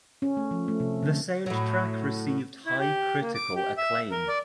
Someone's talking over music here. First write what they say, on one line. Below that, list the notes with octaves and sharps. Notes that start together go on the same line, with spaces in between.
The soundtrack received high critical acclaim.
C#4
A3
F3
A3
C3
D3
A2 F#3
E4
G4
A#3
D6
G4
E5
A#4
D5